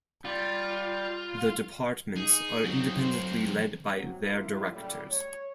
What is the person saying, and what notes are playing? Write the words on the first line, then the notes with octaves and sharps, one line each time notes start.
The departments are independently led by their Directors.
G3 F4
D#4 G#4
F#3 C4
C5
C3 F#3
A#1 A#3 E4 F4 A#4
A2 C#3 F#3 G3
C#5